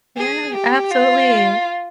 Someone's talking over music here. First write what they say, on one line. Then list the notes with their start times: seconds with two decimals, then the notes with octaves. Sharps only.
Yeah. Absolutely.
0.17 G#4
0.55 G4
0.91 F4